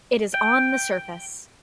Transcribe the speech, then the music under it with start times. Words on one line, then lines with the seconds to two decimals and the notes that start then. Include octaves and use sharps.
It is on the surface.
0.34 G5